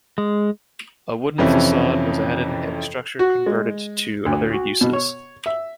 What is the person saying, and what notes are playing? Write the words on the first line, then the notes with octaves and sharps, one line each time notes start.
A wooden facade was added and the structure converted to other uses.
G#3
F2 C3 E3 F3 C#4 E4
F#4
G#3
D2
F#4
B2
C#5
E5